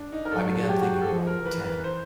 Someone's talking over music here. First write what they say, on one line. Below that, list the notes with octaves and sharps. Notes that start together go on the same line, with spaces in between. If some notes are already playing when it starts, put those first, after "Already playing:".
I began thinking about tan.
Already playing: D4
D#4
A#4
F#3 A4
A4
G#4
G4
F#4
G4
A4
F3 G#4
A#4
E3 B4
B4
C5